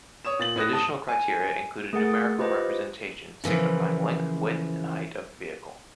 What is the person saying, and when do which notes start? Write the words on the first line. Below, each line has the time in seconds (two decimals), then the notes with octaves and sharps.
Additional criteria include a numerical representation signifying length, width and height of the vehicle.
0.25 C#5 D#6 E7
0.39 A#2 A6 F#7
0.56 A2 D#6 F#6 A#6
0.73 A5 D#6
1.09 G#5
1.93 A3 G#4 A#4 F#5 A6
2.39 F4 G4 B4 C5 D#5
3.44 C#3 E3 F3 A#3